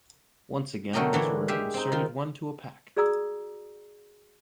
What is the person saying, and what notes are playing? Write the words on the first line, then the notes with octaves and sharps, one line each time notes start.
Once again these were inserted one-to-a-pack.
D3 F#3 A3 A#4 D#5 G5
D3 E3 D4 C#5
G#3 G4 E5 F5
C4 D#4
D#3 F4
F#4 G#4 D5 A#5 D#6 E6